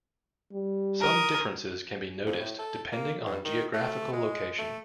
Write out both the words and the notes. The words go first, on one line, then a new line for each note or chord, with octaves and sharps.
Some differences can be noticed depending on geographical location.
G3
A#4 D#6
F2
A2
A4
A#3
G2
D#3
A3
G#3
A3